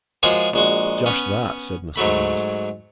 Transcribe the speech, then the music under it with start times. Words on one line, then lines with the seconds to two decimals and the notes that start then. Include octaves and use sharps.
"Just that," said Mr. Lindsey.
0.23 F3 G#3 A#3 F#4 G#4 C#5
0.54 A#1 G#3 F#4
1.06 B3 C#4
1.96 G#2 F#3 A3 B5